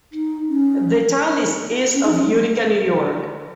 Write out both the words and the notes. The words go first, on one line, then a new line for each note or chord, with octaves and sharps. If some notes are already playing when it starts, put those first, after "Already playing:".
The town is east of Utica, New York.
D#4
C#4
C#4
D#4
C#4